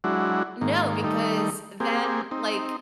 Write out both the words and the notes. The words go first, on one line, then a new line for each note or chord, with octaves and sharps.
No, because then, like
F#3 G#3 D4 E4 F#4
G#2 D#3 A#3
D#3 G3 A3 D#4
A#3 C4 G4 G#4
C4 D#4